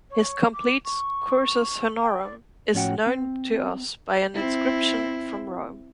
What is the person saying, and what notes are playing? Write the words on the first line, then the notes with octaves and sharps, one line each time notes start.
His complete "cursus honorum" is known to us by an inscription from Rome.
C#5
D6
C#6
G5
D5
A2 F3 C#4 F#4 F#5 G5
C4
C4 E4